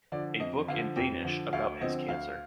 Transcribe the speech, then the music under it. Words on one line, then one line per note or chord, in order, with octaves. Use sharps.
A book in Danish about his cancer.
D3 F3 D5
F2 D#5
D3 F3 F5
F2 G5
D3 F3
D2 F5
D3 F3 C4 D#5
D2 F5